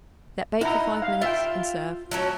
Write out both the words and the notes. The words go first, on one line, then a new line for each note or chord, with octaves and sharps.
Let bake for five minutes and serve.
D#4 E4 F#5 A#5
F5
F4 E5 G5
F#3 A3 C#4